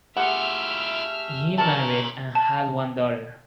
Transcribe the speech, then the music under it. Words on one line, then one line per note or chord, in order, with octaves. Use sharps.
He married and had one daughter.
A3 E4 F4 G4 G#4 E5 F#5 F6
A#2 C#4 A#4 A5 C#6
A5